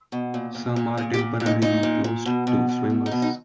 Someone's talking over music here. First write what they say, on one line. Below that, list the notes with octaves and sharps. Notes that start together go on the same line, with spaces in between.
Some are temporarily closed to swimmers.
B2
A#2
A#2
A#2
A#2 G#4
G4
A#2
A#2
D#4
A#2 D#4
A#2
A#2
B2
B2
B2
B2
D#4
B2
D#4